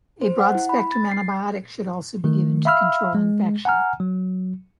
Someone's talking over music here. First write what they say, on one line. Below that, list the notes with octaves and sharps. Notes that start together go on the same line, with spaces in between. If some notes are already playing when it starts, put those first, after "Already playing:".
A broad-spectrum antibiotic should also be given to control infection.
C5
F#5
E4
B5
A6
C7
D#3 A3
E5 F5 B5 E6 F6
G#3
F#5 G#5 A#5 F6
F#3